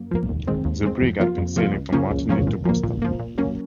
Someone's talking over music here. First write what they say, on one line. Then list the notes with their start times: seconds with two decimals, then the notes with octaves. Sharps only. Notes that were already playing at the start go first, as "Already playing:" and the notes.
The brig had been sailing from Martinique to Boston.
Already playing: F#2 A#3
0.11 F3 A#3
0.29 D#2
0.47 D#3 G#3 C4
0.65 D#2
0.83 D#3 G#3 C4
1.02 F2
1.20 C3 F3 A#3 F4
1.38 F2
1.56 C3 F3 A#3 F4
1.74 C#2
1.92 C#3 F3 A#3 C#4
2.11 C#2
2.29 C#3 F3 A#3 C#4
2.47 A#2
2.65 F3 A#3
2.83 A#2
3.02 F3 A#3
3.19 A#2
3.38 F#3 A#3 C#4